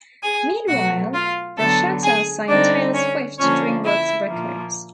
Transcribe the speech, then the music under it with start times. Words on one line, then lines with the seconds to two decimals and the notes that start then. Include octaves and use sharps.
Meanwhile, Borchetta signed Taylor Swift to DreamWorks Records.
0.23 G#4 G#5
0.68 B2 F#3 A3 F#4 F#5
1.14 F4 F5
1.58 D3 F#3 B3 A4 A5
2.03 G#4 G#5
2.48 D3 G3 C4 D4 D#4 D5
2.94 C#4 C#5
3.39 D3 F3 A#3 C#4 D4 C#5
3.84 E4 E5
4.29 A#2 F3 A#3